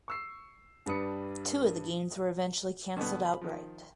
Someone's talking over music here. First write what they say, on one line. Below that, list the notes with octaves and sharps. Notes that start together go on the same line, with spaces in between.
Two of the games were eventually canceled outright.
C#6 E6 C7
G2 G3 D4 B4 D#6 C#7
G2 B2 D3 B3
B5
D#3 F3